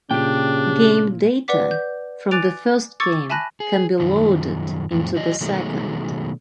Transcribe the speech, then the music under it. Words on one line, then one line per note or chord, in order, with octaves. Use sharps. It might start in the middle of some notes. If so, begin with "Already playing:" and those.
Game data from the first game can be loaded into the second.
A#2 C#3 D4 G4 G5
B4 D5 F#5 D6 B6
G6
G#5 D6 F#6 A6 D7 F7
C#6 D6 E6 G#6 A6 C#7
E5 G#5 A5 B5 F#6 A#6
G#4
F#2 D#3 F3
F2 A2
F#3 D5 D#5
B2 D#3 F#3 G#3 A3